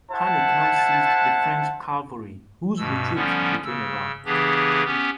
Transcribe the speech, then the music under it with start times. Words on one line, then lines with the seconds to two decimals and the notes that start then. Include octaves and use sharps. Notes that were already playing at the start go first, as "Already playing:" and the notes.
Panic now seized the French cavalry, whose retreat became a rout.
0.11 E4 C5 F#5 A5
2.77 G2 B2 E6
3.14 D3 F3 G3 B3 C#4
3.65 C#3 E6
4.25 C#3 E3 B3 D4 G4 G#4
4.85 B3 C#4 G4